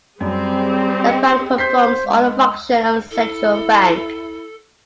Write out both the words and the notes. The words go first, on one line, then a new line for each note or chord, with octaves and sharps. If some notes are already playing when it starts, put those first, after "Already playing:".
The Bank performs all the functions of a central bank.
F#2 G3 C4 G4 G#4
D#5 G5 C#7
C5 G6 B6 C7
G#3
E4 A4